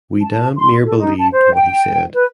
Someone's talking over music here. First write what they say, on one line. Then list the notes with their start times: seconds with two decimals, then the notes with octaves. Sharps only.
We damned near believed what he said.
0.22 A5
0.56 C6
0.85 A4
0.98 D#4
1.18 A5
1.32 C5
1.55 G5
2.13 B4